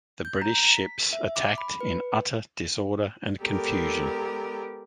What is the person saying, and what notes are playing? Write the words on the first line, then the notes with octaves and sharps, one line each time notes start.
The British ships attacked in utter disorder and confusion.
G6
A#5
B6
E5
D6
B5
B4
G#3 B3 G4 A4 A#4 D5